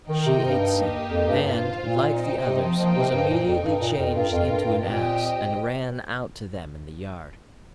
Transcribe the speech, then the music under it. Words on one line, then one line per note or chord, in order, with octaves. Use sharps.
She ate some, and, like the others, was immediately changed into an ass, and ran out to them in the yard.
D#3 D#4 A#4 D#5 G5
C3
G2
A#3 D#4 G4 A#4 D#5
F2
G2
G2 F4 C5 F5
A#2
C4 D#4 C5 D#5 G5
C3
F3
F3 A#3 D#4 C5 D#5 G5
C3
G2
A#2
F2 D#4 A#4 D#5 G5
G2
A#2
F2
G2 F4 A#4 G5
F2
G2
G2
A#2 C4 G4 D#5 G5